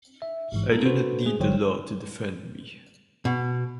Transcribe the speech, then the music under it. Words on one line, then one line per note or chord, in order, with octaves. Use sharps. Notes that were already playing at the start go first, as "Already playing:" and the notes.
I do not need the law to defend me.
E5
A1 G#2 E3
A3 B3 E4 A4 A#4
D4 F#4 A4 B4 C5
A3 G#4
G1 D3 F#3 C5 C#5 G5
B2